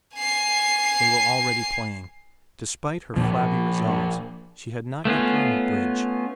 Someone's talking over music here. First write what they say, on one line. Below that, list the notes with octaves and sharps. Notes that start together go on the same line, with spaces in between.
They were already playing. Despite her flabby resolves she had not yet learned bridge.
G#5 C7
A#2 F3
A3 B3 C#4 F4